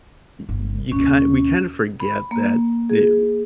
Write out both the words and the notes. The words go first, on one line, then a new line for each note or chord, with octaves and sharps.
y you kinda we kinda forget that ne u
G1
D#2 B2 C#4
B5
A#3
G#4